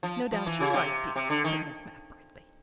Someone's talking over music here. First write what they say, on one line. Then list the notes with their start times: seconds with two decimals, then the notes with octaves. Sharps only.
"No doubt you're right, dear," said Miss Mapp brightly.
0.03 F3
0.32 F3
0.46 E3
0.60 C#3
0.74 C3
1.16 C3
1.30 D3
1.44 D#3